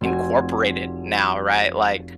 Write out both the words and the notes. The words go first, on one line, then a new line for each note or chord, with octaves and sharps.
incorporated now, right? Like,
F1 C4 F#4 G#5